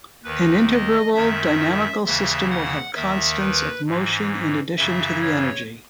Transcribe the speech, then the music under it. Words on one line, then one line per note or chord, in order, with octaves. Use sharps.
An integrable dynamical system will have constants of motion in addition to the energy.
D#2 D#3 B4
D#5
F#2 D#3 E5
D#2 C#3 E3 E5
F#5
D#2 D#3 E5
B4
G#2 E3
F#2 C#3 E3 E5
C#5